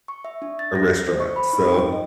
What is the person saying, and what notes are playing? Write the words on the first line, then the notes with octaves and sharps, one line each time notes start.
a restaurant. so,
C#6
E5
D4
A6
A#6
C5
C#6
B5
D#4
G5
D#5